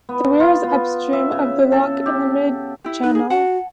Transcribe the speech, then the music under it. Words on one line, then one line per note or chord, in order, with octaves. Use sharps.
The weir is upstream of the lock and in the mid-channel.
B3
F4
B3
E5
C#3
A4
G4
E4 G4
D#4 B4
G#4
F#4 F#5 A5